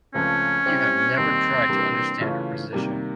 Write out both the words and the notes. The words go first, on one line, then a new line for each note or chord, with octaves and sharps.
You have never tried to understand her position.
C#2 C#3 F3 A3 C4 C#4
G3 C4 E4 G4
D#2 D#3 G3 A#3 C4 D#4
C3 E3 G3 A#3 D4
C#3 E3 A3 C#4 F4
C3 D#3 G3 A#3